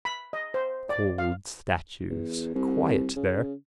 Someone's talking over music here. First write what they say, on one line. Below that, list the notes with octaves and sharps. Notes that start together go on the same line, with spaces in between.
Cold statues: quiet there.
B5
D#5
C5
D5
F5
E2
C2
C#3